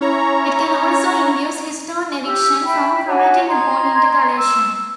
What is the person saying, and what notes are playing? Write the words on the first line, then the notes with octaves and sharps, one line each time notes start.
It can also induce histone eviction from chromatin upon intercalation.
C#4 E4 C#5 A#5
G4 E6
E5 G5 B5
F#4 C#5 G#5
D#5 A#5 C6 G#6
E6